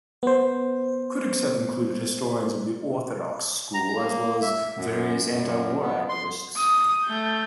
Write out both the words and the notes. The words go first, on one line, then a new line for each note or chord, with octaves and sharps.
Critics have included historians of the "orthodox" school, as well as various anti-war activists.
B3 C5
A#5
A#3
E5
F#2
F#2
B3
C6
D#6
A3 G6